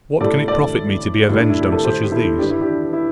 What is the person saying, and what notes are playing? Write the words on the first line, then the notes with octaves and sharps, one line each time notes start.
What can it profit me to be avenged on such as these?
A2 G3 A4 D5
A4 D5
A2 G3
D4
E4
G4
A4
G4 C5
G4
E4 A4
G2 G3 G4
E4
D4 G4
E4